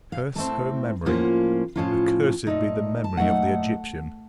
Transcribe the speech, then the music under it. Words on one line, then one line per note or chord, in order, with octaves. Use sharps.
"Curse her memory--accursed be the memory of the Egyptian."
F5
A2 A3 C4 A5
A2 F3 A#3 C#4 F4 F#5
A2 F3 A#3 C#4 F4 A5
A#2 F#3 A3 D#4
A5
A#2 F#3 A3 D#4 F#5